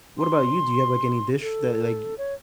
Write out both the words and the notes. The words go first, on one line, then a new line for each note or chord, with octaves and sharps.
What about you? Do you have, like, any dish that, like,
C6
A4
C#5